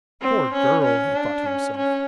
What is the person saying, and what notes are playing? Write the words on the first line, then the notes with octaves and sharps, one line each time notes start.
'Poor girl,' he thought to himself.
C4
C#4
C#4
D4
C#4
C#4